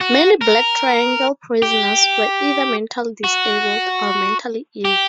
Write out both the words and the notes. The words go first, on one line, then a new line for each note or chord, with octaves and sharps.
Many black triangle prisoners were either mentally disabled or mentally ill.
F#4
A#4
G4
F#4
G4